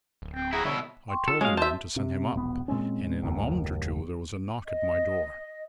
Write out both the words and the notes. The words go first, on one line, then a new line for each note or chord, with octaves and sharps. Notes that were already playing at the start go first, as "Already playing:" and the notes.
I told the man to send him up, and in a moment or two there was a knock at my door.
D1
C4 G5
E4 F#4 G#4 A#5
B2 D3 G3 E4 C#5
G5 C6 C#6
F4 A4
G#3 C#4 F#4 F5
C5 E5 A5
C3
E1 A#1 B3
A#2 G#3 C4 C#4
F#1 D#2 A2 D#3
D#5